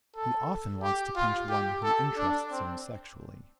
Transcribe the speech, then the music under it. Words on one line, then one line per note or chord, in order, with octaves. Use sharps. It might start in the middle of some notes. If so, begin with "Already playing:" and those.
He often wants to pinch one who interests him sexually.
A4
G4
F4
G4
A4
D4
C4